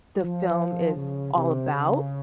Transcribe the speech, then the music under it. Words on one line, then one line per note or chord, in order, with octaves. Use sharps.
the film is all about.
F3
C#3
C3
C#3